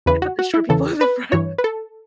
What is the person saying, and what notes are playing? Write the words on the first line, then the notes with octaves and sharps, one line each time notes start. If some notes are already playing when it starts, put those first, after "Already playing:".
They put the short people in the front.
E2 C#3 E3 B4
F#4
F#4
E4
E2 C#3 E3 A4
B4
G2 E3 C#5
B4
A4